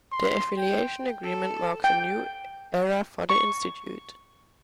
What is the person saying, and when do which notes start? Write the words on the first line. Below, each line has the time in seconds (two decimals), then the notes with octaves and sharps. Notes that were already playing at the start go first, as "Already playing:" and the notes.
The Affiliation agreement marks a new era for the institute.
0.12 C6
0.58 G5
1.23 A4
1.84 G5
3.30 C#6